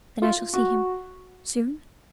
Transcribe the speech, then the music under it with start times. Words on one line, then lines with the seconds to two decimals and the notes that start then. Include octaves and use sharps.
"Then I shall see him ... soon?"
0.22 F4
0.53 F#4